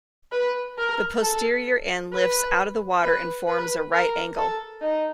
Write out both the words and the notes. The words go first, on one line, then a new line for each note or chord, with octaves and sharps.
The posterior end lifts out of the water and forms a right angle.
B4
A#4
A4
B4
B4
B4
A#4
A4
D#4